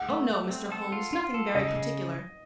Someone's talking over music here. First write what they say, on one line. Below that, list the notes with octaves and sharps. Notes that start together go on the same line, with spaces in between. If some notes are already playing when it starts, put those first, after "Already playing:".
"Oh, no, Mr. Holmes--nothing very particular."
Already playing: F#5
A3
A3
C4
A4
F4
F4
A4
C#3 D#5
C#3